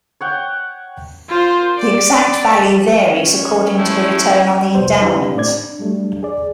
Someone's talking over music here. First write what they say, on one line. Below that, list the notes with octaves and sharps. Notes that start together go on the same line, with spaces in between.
The exact value varies according to the return on the endowment.
C#5 F#5 G5
F4 C5
D5
C#4
F3 A3 E4
C2 F2 B3 C5
D4 E4 G4 B4
A2 A3 C4 D5 G#6
D4
F#3 G3 A3 D4
G#4 D5